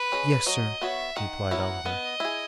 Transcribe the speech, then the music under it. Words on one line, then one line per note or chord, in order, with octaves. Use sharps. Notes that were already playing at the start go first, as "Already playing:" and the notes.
'Yes, sir,' replied Oliver.
Already playing: B4
C#4 G#4 D#5
F#3 D#5
B3 F#4 C#5 E5
D#3 F#5
F#3 B3 E4 A#4
B3 D#5
E4 G#4